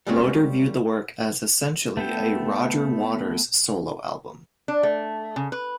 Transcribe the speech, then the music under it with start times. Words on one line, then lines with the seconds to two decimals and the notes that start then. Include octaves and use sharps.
Loder viewed the work as "essentially a Roger Waters solo album".
0.07 G3 G#3 A#3 C4 C#4 F#4
1.97 A3 B3 A4 G5
4.68 D4
4.83 A3
5.36 C#3
5.52 B4